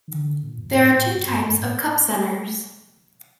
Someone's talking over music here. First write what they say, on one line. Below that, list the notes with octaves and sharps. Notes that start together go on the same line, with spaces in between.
There are two types of cup centers.
D#3
D3
A#2
F2
G2
A2
A2
G2
F2
G2
A2